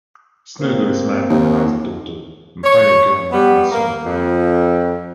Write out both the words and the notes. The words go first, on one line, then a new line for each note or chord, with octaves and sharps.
Snegur is married and has a daughter, Natalia Gherman, and a son.
A#3 C4
D#2
C#5
G3 B3
A#3
F2